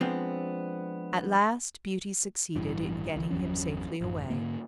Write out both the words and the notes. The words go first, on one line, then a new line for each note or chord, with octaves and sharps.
At last Beauty succeeded in getting him safely away.
F3 G#3 B3 C4 D4
A1 G2 E3
C2 D3 E3
G1 E2 F#3 C#4
A1 F#2
G#2 D3 A#3